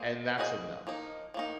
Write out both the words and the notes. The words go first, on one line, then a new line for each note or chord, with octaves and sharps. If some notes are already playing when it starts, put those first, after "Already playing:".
and that's enough.
Already playing: A#3 G#4 C5 D#5
A#3 G#4 C5 D#5
F3 A#3 D#4
F3 A#3 D#4